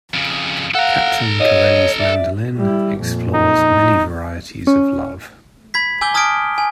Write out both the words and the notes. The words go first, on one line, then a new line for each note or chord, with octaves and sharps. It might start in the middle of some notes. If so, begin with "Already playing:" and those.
"Captain Corelli's Mandolin" explores many varieties of love.
F2 C#3
A4 F5 F#5 A#5
C#5 D#5
D5 E5
G3 E4
F2 A#2
D#4
C#4
B5 G#6 B6
G#5 D6 E6 G6 G7
A5 D#6 F6 G#6 B6 D7
G#5